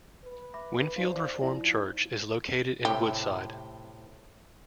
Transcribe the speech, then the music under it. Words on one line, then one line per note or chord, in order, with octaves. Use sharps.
Winfield Reformed Church is located in Woodside.
B4
E5 B5 D6
D#4 F#4 C5 D5 F5
F3 D#4 E4
A2 C3 G4